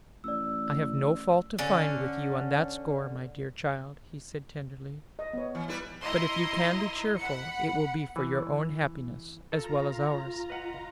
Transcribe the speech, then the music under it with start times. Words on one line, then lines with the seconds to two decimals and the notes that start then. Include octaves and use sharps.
"I have no fault to find with you on that score, my dear child," he said tenderly, "but if you can be cheerful, it will be for your own happiness, as well as ours."
0.24 A1 D5 E6
1.59 D3 C#4
5.19 D#5
5.33 B3 C#5
5.55 E3
5.68 G3 E4 B4
6.02 E4 D#5 A#5 C6
7.17 F#5 B5 C#7
8.16 E3
9.52 F4 A4 A#5
10.50 B4 D#5 F#5